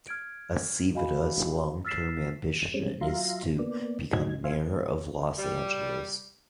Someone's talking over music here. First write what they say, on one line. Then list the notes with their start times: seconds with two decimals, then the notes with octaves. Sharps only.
Aceveda's long-term ambition is to become Mayor of Los Angeles.
0.08 F6 G#6 D7
0.94 F#4 D#5 F5 G#5 B5
1.85 E6 F6 A6 B6 C7 E7
2.74 G3 G#3 C4 C#4
3.01 F#3 F4 E5 F5 A#5 C6
3.59 A#3 B3 D5
4.14 G#2 F#3 D#4 G#6
4.44 C5 E5 F5 G#5 C6
5.39 G3